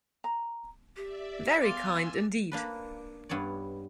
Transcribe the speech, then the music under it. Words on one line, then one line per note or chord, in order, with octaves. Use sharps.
Very kind indeed.
A#5
G4 D5 E5
B3 F5 G#5 C6 D6 E6 A6
A#3 D4 B4
G2 B3 C#5 D5